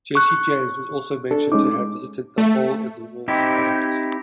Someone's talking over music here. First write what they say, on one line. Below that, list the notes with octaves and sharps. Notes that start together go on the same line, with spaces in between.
Jesse James was also mentioned to have visited the Hole-in-the-Wall hideout.
C#6 F#6
D4 A4
G#3 C#4 D#4 D6
A3
C4 D#4 E4 G4